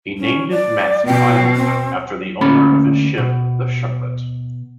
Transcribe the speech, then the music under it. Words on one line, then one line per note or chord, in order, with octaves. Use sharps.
He named it Matthew Island, after the owner of his ship, the Charlotte.
C#4
D5
B2 G5
C4
D2 A#3 C#4 B5
B2